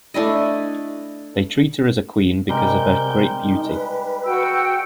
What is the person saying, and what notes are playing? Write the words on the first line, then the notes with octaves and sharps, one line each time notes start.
They treat her as a Queen because of her great beauty.
A3 D4 E4 D#5
C3 G3 G#3 A#4 G6
D#4
B4
F#4 G5 E6